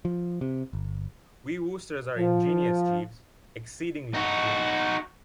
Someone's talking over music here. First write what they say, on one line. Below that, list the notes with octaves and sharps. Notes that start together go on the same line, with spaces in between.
We Woosters are ingenious, Jeeves, exceedingly ingenious.
F3
C3
G1
F3
D#4 F#4